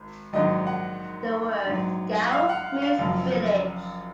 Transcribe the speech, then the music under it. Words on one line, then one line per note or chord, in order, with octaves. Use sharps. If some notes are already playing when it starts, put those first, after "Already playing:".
The word "gao" means 'village'.
Already playing: G#1
A#1 G#2 D#3 F#3 D#5
F#5
A#1 G#2 F#3
F5
F#5
F5
F#1 F#2 F3 F5